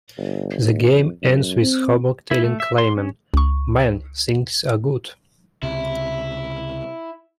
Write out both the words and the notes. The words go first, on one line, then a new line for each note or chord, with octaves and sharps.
The game ends with Hoborg telling Klaymen "Man, things are good".
G1
D#2
F2
F#2
C4
E4
A3
E5
C6
C#4
C#2 C#6
C#2 C3 E4